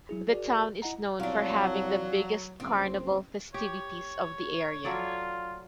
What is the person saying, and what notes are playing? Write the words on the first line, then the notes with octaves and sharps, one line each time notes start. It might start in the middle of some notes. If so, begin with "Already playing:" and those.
The town is known for having the biggest carnaval festivities of the area.
F#3 E4 G#4
F#4 G#4 A#4 D5
E4 D#5 F#5 A#5
C2 F#3 D4 F4
F#1 C4
G4 C#5
F#3 F4 A4 D5